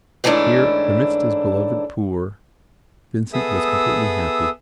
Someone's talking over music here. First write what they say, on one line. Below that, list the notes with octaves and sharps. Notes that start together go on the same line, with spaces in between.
Here, amidst his beloved poor, Vincent was completely happy.
G#2 E3 A3 C#4 D4 E4
B3 G#4 A4 E5 D#6 E6